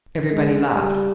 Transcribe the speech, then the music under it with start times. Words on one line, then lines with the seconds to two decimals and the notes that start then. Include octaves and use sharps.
Everybody laughed.
0.32 G#3
0.72 G3